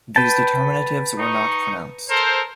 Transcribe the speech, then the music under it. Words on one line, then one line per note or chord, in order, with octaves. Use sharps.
These determinatives were not pronounced.
B4 G5 A5
D#4 C#6
A4 A#4 C5